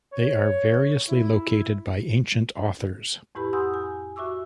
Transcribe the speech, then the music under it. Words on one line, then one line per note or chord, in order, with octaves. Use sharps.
They are variously located by ancient authors.
C#5
E4
F2 A2 E4 G4 B4 B5
F#5 G#5 C6 D#6 E6 G6
G#5
F#4 E5 C#6 D6 E6